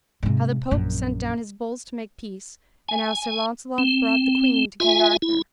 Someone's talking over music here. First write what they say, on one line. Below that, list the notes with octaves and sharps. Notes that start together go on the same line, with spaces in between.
How the Pope sent down his bulls to make peace, and how Sir Launcelot brought the queen to King Arthur.
G#2 C3
A#1 F#2
G#5
C4
F4 E5 G#5
E4